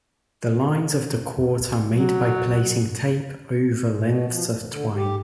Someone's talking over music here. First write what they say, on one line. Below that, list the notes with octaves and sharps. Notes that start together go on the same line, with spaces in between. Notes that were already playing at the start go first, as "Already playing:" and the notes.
The lines of the court are made by placing tape over lengths of twine.
F#3
B2
F3
D2
D3
G4